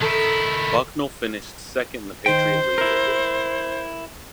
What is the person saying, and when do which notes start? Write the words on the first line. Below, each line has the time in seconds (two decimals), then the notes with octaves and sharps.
Bucknell finished second in the Patriot League.
0.02 D#3 E4 A4
2.26 D#3 C5 G5
2.78 E4 A#4